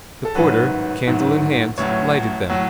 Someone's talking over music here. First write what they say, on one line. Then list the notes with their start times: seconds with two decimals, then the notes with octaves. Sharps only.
The porter, candle in hand, lighted them.
0.25 A4
0.35 A1 G#2 D#3 F#3 B4
1.07 A1 G#2 D#3 F#3
1.78 A1 A2 F#3 C#5
2.49 A2 F#3